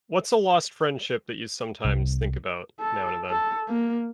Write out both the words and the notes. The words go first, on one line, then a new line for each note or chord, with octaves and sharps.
what's a lost friendship that you sometimes think about now and then?
C2
A4
A4
A#3